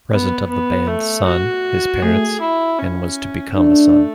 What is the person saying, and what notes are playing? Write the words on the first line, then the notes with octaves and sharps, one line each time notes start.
Present of the band's son, his parents, and was to become a son.
B3
B3
A3
F#4
A3 G#4
E4
C#4
A3 D4